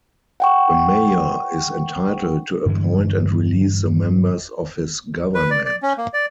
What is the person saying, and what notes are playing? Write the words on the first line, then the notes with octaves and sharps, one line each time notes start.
The Mayor is entitled to appoint and release the members of his government.
F#5 G5 C#6
G2 D3 E3 G#3
B4
D5
D5
C#4
A#3
D5